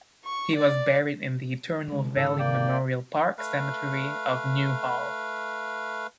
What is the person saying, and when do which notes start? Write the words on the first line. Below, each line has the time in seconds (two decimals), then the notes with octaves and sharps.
He was buried in the Eternal Valley Memorial Park Cemetery of Newhall.
0.25 C#6
0.55 D5
1.88 D3 G#3
2.17 G#2 D3 D#3 A4
2.39 A#3 D5 G5
3.38 A3 B4 F5